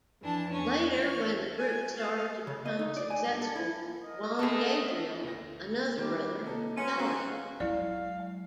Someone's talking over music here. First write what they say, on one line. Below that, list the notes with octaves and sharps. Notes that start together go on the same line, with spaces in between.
Later, when the group started to become successful, Juan Gabriel, another brother, joined.
F2 E3 D4 A5
E2 C#4 C#6
C#6 F6
G#5
F5
C#3
D#5
D#4
D5
G#5
G2
A4
E4
A#4 D#5 D#6
A3 G#4 A4
D2 A#6
D#3 G3 D#4 A#4 D6
C3 A#3 D#4 A4
F#3 G#3 B3 C#4 C6
C#3 C4 C#4 F#4 G#5 A#5
F#3 G#3 E4 D5 F5